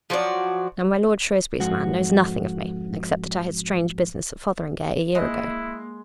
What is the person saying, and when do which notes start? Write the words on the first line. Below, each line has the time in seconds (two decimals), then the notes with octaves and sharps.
Now, my lord Shrewsbury's man knows nothing of me except that I had strange business at Fotheringay a year ago.
0.10 F3 F#3 F#4 D5
1.60 F2 G#2 F#4
5.15 G#3 A#3 E4 D#5